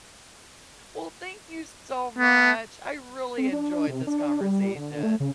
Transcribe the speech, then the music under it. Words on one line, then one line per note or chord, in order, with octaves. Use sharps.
Well, thank you so much. I really enjoyed this conversation.
B3
C4
D4
C3
D4
G3
D3
A3
C#3